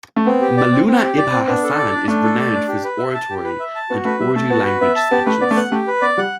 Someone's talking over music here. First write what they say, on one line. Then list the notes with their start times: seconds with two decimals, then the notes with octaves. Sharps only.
Maulana Ibne Hasan is renowned for his oratory and Urdu language speeches.
0.16 A3
0.26 B3 C4
0.41 G4
0.57 D5
0.72 C4
0.87 C4
1.03 G4
1.18 D5
1.32 C4
1.48 B3 D4
1.63 A4
1.78 D5
1.93 D4
2.08 A3 D4
2.24 A4
2.38 D5
2.54 D4
2.68 G4
2.84 B4
2.98 E5
3.14 A5
3.30 G4
3.44 B4
3.60 E5
3.75 A5
3.90 B3 F#4
4.05 A3 B4
4.20 G3 E5
4.36 A3 A5
4.50 B3 F#4
4.65 B4
4.81 B3 E5
4.96 A5
5.11 B3 G4
5.26 A3 B4
5.41 B3 D5
5.51 A3
5.56 B3 F#5
5.71 A3 G4
5.87 B4
6.02 B3 D5
6.18 G3 F#5